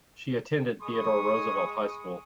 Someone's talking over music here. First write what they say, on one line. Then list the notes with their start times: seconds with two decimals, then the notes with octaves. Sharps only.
She attended Theodore Roosevelt High School.
0.81 G#3 G#4 B5 C#6 D#6